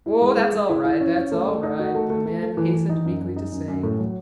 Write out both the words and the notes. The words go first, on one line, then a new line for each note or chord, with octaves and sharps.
"Oh, that's all right, that's all right," the man hastened meekly to say.
E4
G#3
G#3
G#3
E4
E4
C#4
C#4
A3
A3
D#4
F#4
A3
A3
A3
A3
E3
E3
D#4
F#2
F#2
D#4
F#2
F#2
A2
F#3